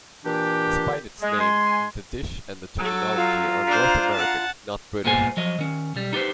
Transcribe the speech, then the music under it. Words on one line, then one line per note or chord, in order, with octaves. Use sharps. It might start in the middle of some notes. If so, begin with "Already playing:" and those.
Despite its name, the dish and the terminology are North American, not British.
A#2 E3 D4 G4
G#3
G#3 G#5 C6
F#3 A4
F4 A#5
D4 C5
F#5 A5
G2 A#2 G#3 B3 C5 G#5
F3 F#3 D#5
D#3 C#4
B1 G3
D#4 G4 B4 C5